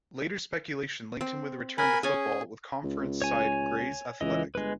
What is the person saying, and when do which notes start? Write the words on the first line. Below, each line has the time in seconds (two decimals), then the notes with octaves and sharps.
Later speculation linked him with a return to football with Conference side Grays Athletic.
1.21 C4
1.78 A#4 F#5 G#5 B5
2.03 C#4 G#4 G#5
2.83 C#2
3.22 C#5 G#5
4.21 C#2 E3 D#5
4.55 G1 G#3 B4